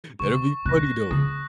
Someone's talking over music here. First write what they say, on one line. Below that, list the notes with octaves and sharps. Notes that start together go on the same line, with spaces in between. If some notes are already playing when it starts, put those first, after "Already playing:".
That'd be funny though.
C#3 C#6
C3 F#6 A#6
C#3 D#6